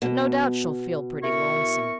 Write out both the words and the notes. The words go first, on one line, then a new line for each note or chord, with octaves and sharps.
But no doubt she'll feel pretty lonesome.
B2
E4 A#4 C#6